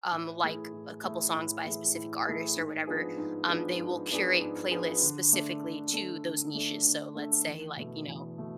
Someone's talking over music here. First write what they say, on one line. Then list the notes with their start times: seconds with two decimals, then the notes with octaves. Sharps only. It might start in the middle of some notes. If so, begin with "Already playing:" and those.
um, like a couple songs by a specific artist or whatever, um, they will curate playlists specifically to those niches. So let's say, like, you know
0.12 A2
0.43 E3 A3 E4 G#4
0.73 A2
1.03 E3 A3 E4 G#4
1.34 A2
1.65 E3 A3 E4 G#4
1.95 A2
2.27 E3 A3 E4 G#4
2.56 G#2
2.87 F3 B3 D4 G#4
3.18 G#2
3.48 F3 B3 D4 G#4
3.79 G#2
4.10 F3 B3 D4 G#4
4.41 G#2
4.71 F3 B3 D4 G#4
5.01 D3
5.32 A3 D4 A4
5.63 D3
5.93 A3 D4 A4
6.24 D3
6.54 A3 D4 A4
6.86 D3
7.15 A3 D4 A4
7.46 E2
7.77 B2 A3
8.08 E2
8.38 B2 A3